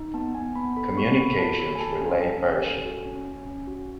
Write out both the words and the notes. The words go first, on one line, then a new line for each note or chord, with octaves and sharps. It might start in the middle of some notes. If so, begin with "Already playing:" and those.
Communications relay version.
Already playing: D#4
B3 A5
B3 G#5
B3 B5
A4 B5
B3 C#6
B3 B5
F#4 A5
A4 B5
G#5
A4 A5
C#4 G#5
C#4
C#4 G#5
A4
F#4
C#4
C#4
C#4
F#4